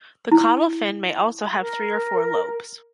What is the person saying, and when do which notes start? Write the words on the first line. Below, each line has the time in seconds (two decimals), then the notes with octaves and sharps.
The caudal fin may also have three or four lobes.
0.32 E4
1.57 A#4